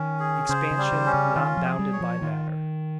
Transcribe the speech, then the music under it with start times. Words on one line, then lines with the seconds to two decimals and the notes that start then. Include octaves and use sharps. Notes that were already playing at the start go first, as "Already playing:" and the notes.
Expansion not bounded by Matter.
Already playing: D#3 C#4
0.20 G#4
0.49 C#3 C5
0.71 C#3
0.77 G3
0.92 C#3
1.06 C#4
1.14 C#3
1.35 D#3 F4
1.57 F3
1.65 G#4
1.79 G3
1.93 C#5
2.01 F3
2.22 D#3 F4